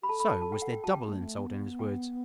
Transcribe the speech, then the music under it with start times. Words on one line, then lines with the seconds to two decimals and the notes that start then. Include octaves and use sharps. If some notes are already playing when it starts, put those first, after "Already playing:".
So was there double insult in his words.
0.02 G4 B5
0.09 A4 A5
0.20 B5
0.31 A5
0.42 A5
0.52 G5
0.62 F#5
0.73 G5
0.84 F#4 A5
0.94 G4 G5
1.08 A3
1.18 B3
1.23 A3
1.37 B3
1.79 G5